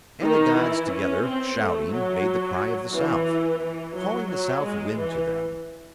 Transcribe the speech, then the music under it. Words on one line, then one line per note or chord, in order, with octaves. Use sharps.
And the gods together shouting made the cry of the south, calling the south wind to them.
D#3 D#4
E3 E4
C#4
C4
A3
F#3
E3
E3
F#3
F#3
G#3
E3